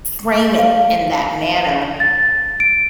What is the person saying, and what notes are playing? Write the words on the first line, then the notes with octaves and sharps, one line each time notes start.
frame it in that manner,
F5
A6
D7